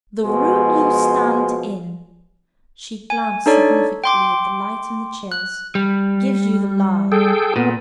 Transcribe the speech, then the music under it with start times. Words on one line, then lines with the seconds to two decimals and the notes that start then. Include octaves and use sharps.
The room you stand in"--she glanced significantly at the lights and the chairs--"gives you the lie.
0.24 B2 F3 G#3
3.10 G#5
3.46 D4 D#4 A4 C#5 D5
4.04 G5 C6 D6
5.32 F#6
5.75 G3
7.12 G#4 A4 G5
7.56 A#2 B3